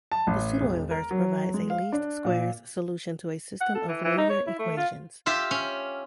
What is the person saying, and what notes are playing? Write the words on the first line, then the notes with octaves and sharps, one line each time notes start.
The pseudoinverse provides a least squares solution to a system of linear equations.
A5
A1
E1
A#4
F#3
G#3
F5
D4
A#2
F#5
A4
E3
E3
D#4
C#5
E4
A3
F4
F4 G4 E5
C#4